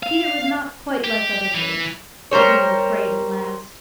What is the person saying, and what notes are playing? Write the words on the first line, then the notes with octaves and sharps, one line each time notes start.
Peter was not quite like other boys; but he was afraid at last.
F5
G4
E3
G3 A#4 C5 C#5